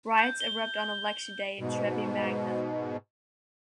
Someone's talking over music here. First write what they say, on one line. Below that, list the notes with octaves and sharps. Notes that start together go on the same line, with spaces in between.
Riots erupt on election day in Treby Magna.
G6
G7
G#2 B2